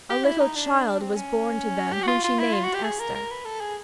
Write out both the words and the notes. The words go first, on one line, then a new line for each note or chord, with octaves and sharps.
A little child was born to them whom she named Esther.
G4
E4
D#4
D4
C4
C#4
G4
F#4
F4
F4
E4
F4
F#4
G4
G#4
A#4
A#4
B4
A4
G#4